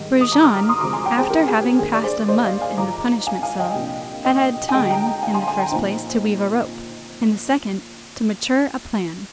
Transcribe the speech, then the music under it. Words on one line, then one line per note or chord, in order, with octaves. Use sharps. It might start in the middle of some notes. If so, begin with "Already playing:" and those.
Brujon, after having passed a month in the punishment cell, had had time, in the first place, to weave a rope, in the second, to mature a plan.
Already playing: G#2 D#3 G3
D#6
A#5 D6
D6 F6
A#5 D6
C6 D#6
D2 C3 F3 G#3 C4 A#5 D6
G#5 C6
G5 A#5
G#4 C5
G4 A#4
G#4
G4
G2 D#3 A#3 G#4
D5
G#4 C5
C5 D#5
D5 F5
F5 G#5
G#2 F3 G#3 A#5 D6
F5 G#5
F5 G#5
D#5 G5
C2 A#2 F3 A#3 D4
D#5 G5
G#5
D2 D3 G#3 D#5 G5
G5 A#5
G5 A#5
F5 G#5
G#5 C6
G#5 C6
G5 A#5
A#2 F3 C4 D#4